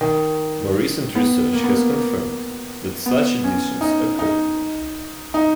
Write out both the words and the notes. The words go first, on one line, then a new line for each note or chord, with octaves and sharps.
More recent research has confirmed that such additions occurred.
D#3
B3
A#3
B3
A#3
A#3
B3
C#4
D#4
D#4
D#4